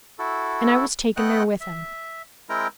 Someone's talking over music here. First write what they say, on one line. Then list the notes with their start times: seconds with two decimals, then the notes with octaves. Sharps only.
And I was taken there with him.
0.19 E4 F#4 A4
1.16 A3 B3 D#5 F#5 G5 F#6
1.60 E5
2.49 G#3 C4 E4 A#4 G5 A#5